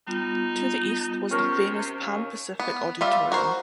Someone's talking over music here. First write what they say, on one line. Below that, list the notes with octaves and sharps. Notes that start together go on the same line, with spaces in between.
To the east was the famous Pan-Pacific Auditorium.
G3 B3 D#4 F4
C3 C#4 A#4
D#2
B3
G3 F4 E5
F#4 A#4 C5